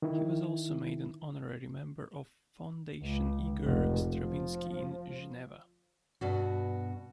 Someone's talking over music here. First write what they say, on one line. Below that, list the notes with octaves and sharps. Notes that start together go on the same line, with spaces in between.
He was also made an honorary member of Fondation Igor Stravinsky in Geneva.
D#3 E4
C#2
F1
F3
G2 B2 F#4